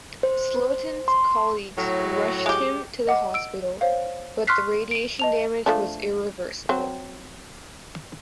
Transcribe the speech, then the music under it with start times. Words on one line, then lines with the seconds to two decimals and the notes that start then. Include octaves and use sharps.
Slotin's colleagues rushed him to the hospital, but the radiation damage was irreversible.
0.23 C5
1.08 C6
1.76 A2 F#3
2.46 G#3 G4
3.07 D#5 F#5 D6
3.34 E6 D7
3.81 C5 C#5 F5
4.47 C6 C#6 F6 F#6 B6 C7
4.91 D7 D#7
5.19 D#5 A5 F7
5.66 F3 A3 D4
6.69 F#3 C4